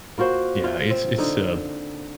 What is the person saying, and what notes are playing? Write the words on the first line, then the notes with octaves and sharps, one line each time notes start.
Yeah, it's it's, uh
A#3 F4 F#4 C5
F4
C4
D3 D#4